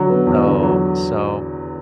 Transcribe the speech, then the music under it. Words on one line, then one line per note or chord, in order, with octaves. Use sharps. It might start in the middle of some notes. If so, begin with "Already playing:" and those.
So so
Already playing: D3 F#3
B3
E2
D3
F#3